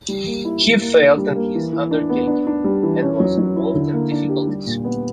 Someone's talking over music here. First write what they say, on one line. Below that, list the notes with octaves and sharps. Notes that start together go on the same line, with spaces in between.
He failed in his undertaking, and was involved in difficulties.
G3
A#3
E4
E4
A#3
D4
G3
A#3
E3
E3
D4
B3
D4
D4
G3
E3
C#4
F#3
F#3
E4
D3
A#3
D4
G4
G3
A#2
B3